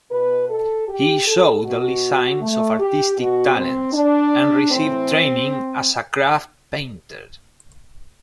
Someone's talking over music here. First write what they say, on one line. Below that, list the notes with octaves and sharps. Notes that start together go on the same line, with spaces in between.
He showed early signs of artistic talent, and received training as a craft painter.
B2 B4
A4
G4
A4
B2 F#4
A3
G4
B2 F#4
C4
D4
A2 E3 C4